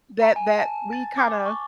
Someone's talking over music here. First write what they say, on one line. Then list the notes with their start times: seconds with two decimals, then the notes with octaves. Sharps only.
that that we kinda
0.22 A#5
0.36 G#5
0.58 A5
0.93 A6
1.18 D6
1.46 C#6